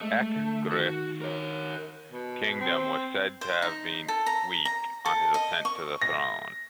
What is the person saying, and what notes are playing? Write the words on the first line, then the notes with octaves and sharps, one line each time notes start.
Ecgfrith's kingdom was said to have been 'weak' on his ascent to the throne.
G#3 A3
D3
D#3 F#4
A#4 C#5
B2
C4
C5
D#4
A4
A#5
A#5
A4
D#5
C#6
A#6